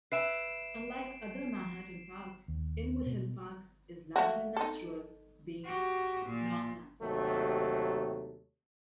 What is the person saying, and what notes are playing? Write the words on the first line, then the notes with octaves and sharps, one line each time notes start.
Unlike other Manhattan parks, Inwood Hill Park is largely natural, being non-landscaped.
B4 E5 G#5 C7 D7 E7
D#2
B2
A3 A#3 F#4
D#4 A4
F#4 G4
A#2
D#2 C3 F#3 A3